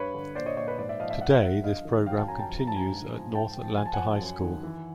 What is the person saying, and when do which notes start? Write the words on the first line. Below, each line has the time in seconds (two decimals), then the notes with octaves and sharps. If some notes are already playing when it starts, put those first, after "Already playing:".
Today this program continues at North Atlanta High School.
Already playing: G2 B4 C#5
0.14 D3
0.35 A#2 C5 D5
0.46 C#5 D#5
0.56 A#2 C#5 D#5
0.67 B4 C#5
0.78 G#2 C5 D5
0.89 D5 E5
1.00 F3 D#5 F5
1.10 D5 E5
1.21 F3 E5 F#5
1.42 F3 E5 F#5
1.64 G2 D#5 F5
1.85 D#3
2.06 F#3 F5 G5
2.17 G5 A5
2.28 F#2 G#5 A#5
2.39 G5 A5
2.49 F3
2.58 A#5
2.67 G2 A5
2.76 G#5 A#5
2.92 G#2
3.14 F3
3.35 G#2 G5 A5
3.57 F3
3.78 F3 G#5
3.86 A5
3.94 F#5 G#5
3.99 F3
4.20 F#2
4.42 D#3
4.63 E3